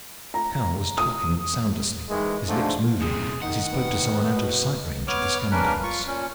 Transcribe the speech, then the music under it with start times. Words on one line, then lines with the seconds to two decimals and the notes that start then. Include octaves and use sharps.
Rakhal was talking soundlessly, his lips moving as he spoke to someone out of sight range of the scanning device.
0.34 A#5
0.98 D#6
2.09 D#3 E3 G#3
2.47 G#2 D3 F3 G#3 A3 D4
3.01 F#2 C3 G#4
3.42 D#3 D#4 F#5
3.72 B3
4.35 B2
5.08 B3 C#5 D6 F6
5.51 C#3 A#3 C#4 D4 A#4 B4
5.83 F4 C#6
6.07 A#2 C#4